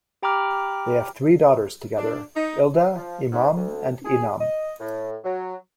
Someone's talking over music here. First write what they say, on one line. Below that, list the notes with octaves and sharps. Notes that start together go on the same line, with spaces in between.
They have three daughters together: Ilda, Iman and Inam.
G4 G5 A#5 B5 D6 F6
D4
D#4
F3
G#2
D2
G#4
D#5
A2
F#3